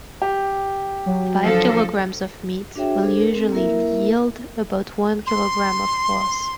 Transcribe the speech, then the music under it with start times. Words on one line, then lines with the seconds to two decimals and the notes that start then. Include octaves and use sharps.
Five kilograms of meat will usually yield about one kilogram of floss.
0.22 G4
1.06 F#3
1.41 D3 F3 A4
2.76 D4 F#4 G#4 C#5 E5 G5
3.03 D4 G#4 A4 C5
3.18 A#4
3.35 C4 A4
3.52 A#3 E4 A#4 E5
5.27 C6